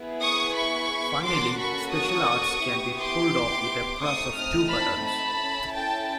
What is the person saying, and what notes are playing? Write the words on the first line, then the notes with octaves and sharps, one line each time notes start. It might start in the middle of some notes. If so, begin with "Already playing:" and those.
Finally, "special arts" can be pulled off with a press of two buttons.
Already playing: B3 E4 G#4
C#6 D#6
B5 C#6
A#3 C#4 F#4 A4 C6 D6
B5 C#6
C#6 D#6
B3 E4 G4
C6 D6
A3 C4 D#4 C#6 D#6
D#6 F6
A5 B5
A5 B5
C#4 E4 A4
G5 A5